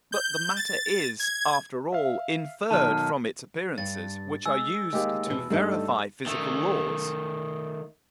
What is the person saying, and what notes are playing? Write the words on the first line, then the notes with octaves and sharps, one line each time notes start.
But the matter is, after all, inferred from its appearances, which are used to VERIFY physical laws.
G6
A6
G#6
E5 F5
B1 D#3 A5 F6
G2 A6
G#3 G#5 E6
D#2 G#3 A#3 G4
E2 B2
G2 G3 A3 D#4 A4
D#3 A3